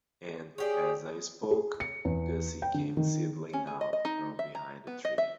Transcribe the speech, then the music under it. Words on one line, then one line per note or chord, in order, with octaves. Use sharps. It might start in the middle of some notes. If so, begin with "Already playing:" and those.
And, as I spoke, Gussie came sidling out from behind a tree.
C#4 G4 G#4 D5
G#4
C#7
E2
G5
D3
D#3
C#4
G#4
D#5
D#5
D#4
E5
A#5
B3
D#5
E5